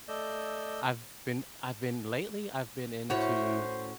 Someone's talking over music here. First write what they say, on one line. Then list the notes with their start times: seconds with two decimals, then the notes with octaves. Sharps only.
I've been I've been lately I've been into
0.08 A3 D5 D#5 E6 G6
3.10 A2 C#4 E4 F#4 C5 C#5